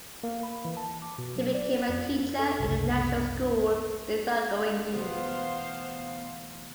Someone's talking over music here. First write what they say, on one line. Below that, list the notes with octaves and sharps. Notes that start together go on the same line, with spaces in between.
He became a teacher at the National School in Taungdwingyi.
A#3
B5
E3
A5
D6
B2
F#3
D5
F2
C#4
A4
F#1 C2
D2 B2 E3 B3 C5 F5